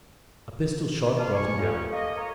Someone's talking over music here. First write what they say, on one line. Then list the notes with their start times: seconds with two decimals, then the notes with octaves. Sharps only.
A pistol-shot brought him down.
1.17 A4 D5 D#5 F5 A5
1.34 G#5 C#6
1.58 A#2 C#4 F4 G4 A4
1.92 A#3 D#5 F5
2.16 A#4 C#5